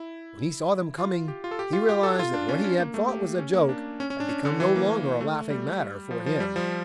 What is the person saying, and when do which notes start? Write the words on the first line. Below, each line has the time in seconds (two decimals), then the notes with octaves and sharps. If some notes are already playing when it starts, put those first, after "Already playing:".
When he saw them coming, he realized that what he had thought was a joke had become no longer a laughing matter for him.
Already playing: E4
0.98 F4
1.28 G4
1.44 F4
1.51 A4
1.59 G4
1.73 F4
1.89 G4
2.03 A4
2.19 F4
2.34 D4
2.49 C#4
2.64 C#4
2.79 A#3
2.94 A3
3.09 G4
3.39 C#4
3.54 A#3
3.69 D4
4.00 C#4
4.10 C#4
4.20 D4
4.29 C#4
4.45 D3
4.60 E3
4.75 A#3
4.90 A#3
5.21 A3
5.50 G3
6.11 F3
6.26 F3
6.40 G3
6.56 F3